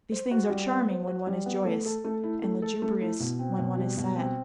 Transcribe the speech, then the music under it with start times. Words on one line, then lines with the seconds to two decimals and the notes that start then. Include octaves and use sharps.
These things are charming when one is joyous, and lugubrious when one is sad.
0.12 C5
0.31 F#4
0.50 G3
0.69 B3
0.88 C5
1.07 F#4
1.27 G3
1.46 B3
1.65 A3
1.85 A4
2.04 A3
2.24 E4
2.43 A3
2.62 A4
2.82 A3
3.01 E4
3.20 B2
3.39 C4
3.58 B2
3.77 G3
3.97 B2
4.16 C4